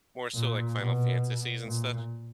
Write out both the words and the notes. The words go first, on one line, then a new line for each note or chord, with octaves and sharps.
more, so, like, Final Fantasies and stuff.
A#2
B2
A#2